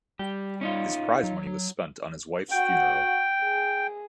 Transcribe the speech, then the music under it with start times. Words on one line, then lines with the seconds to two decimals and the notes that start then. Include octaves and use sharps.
His prize money was spent on his wife's funeral.
0.19 G3 G4
0.61 C#4 D#4 F4
1.23 F#3
1.47 F#3
2.51 F#4 F#5 G5
3.43 G#4